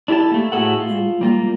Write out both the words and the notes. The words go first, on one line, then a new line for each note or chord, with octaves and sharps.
and, um
D4 E4 G4 A4 A5
A3 A#3
A2 A3 F#4 G#4 A4 F#5
F4
G3 A#3 F4